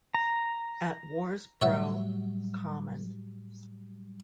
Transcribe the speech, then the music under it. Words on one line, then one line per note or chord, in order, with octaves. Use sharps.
At Worsbrough Common.
A#5
A2 F#3 G3 C#5 E5 F#5